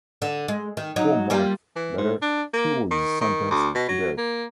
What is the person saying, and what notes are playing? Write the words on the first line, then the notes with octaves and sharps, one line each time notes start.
Four months later he was sentenced to death.
D3
G#3
D#3
F#3 D#4
G3 A#3 F4
E3
G#2
D4
A#3
D#3
D#3
D2
B2
F#3
A#3